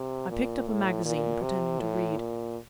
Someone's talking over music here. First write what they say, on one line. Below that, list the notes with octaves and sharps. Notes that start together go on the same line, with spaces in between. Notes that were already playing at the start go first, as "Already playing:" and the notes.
I picked up a magazine, pretending to read.
Already playing: C3
A#2
A2
A#2
C3
A2
A#2